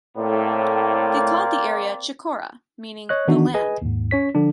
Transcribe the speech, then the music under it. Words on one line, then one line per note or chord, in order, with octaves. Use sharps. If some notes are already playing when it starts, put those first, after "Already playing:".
They called the area "Chicora", meaning "the land".
A2 A#3 C4 D5
C#5 D#5 F#6
D#3 E3 B3 D4 D#4 F#4
G#4 B4 D#5 G#5
D#2 G#2
C#4 C#5 B6
D3 F3 D4